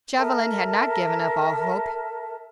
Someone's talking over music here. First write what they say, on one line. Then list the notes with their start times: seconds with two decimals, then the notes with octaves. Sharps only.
Chauvelin had not given up all hope.
0.18 A4 A#4 E5 A5